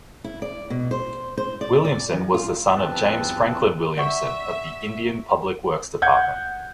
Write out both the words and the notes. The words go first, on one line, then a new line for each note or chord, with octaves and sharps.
Williamson was the son of James Franklin Williamson of the Indian Public Works Department.
E4
D5
B2
C5
C5
D5
D5
F#2
F4
E2 G2 F3 C4 B4 A5
D5 E5 F#5 C#6
F#5 G6 G#6